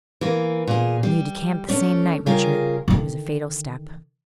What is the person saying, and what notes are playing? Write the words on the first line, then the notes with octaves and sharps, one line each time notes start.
"And you decamped the same night, Richard; it was a fatal step."
E3 A#3
A#2 G#4
G3
A3 C#4 D5
C#3 G3 F4 G#4 A#4
D3 D#3